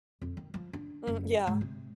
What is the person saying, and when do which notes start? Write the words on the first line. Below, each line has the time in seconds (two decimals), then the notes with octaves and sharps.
Mm, yeah.
0.22 F2
0.37 D#3
0.54 F3
0.73 D4
1.07 F#1
1.47 G#2
1.61 C3